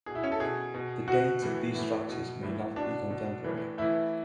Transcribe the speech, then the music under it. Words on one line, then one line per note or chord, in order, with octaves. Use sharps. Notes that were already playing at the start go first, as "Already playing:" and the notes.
The dates of these structures may not be contemporary.
B2 G#4
E4
C#4
A4
B2 G#4
B2
B2 F#4
A2 E3
A2 E3
B2
A2 E3
B2 D4
B2
A2 E3
A2 E3 E4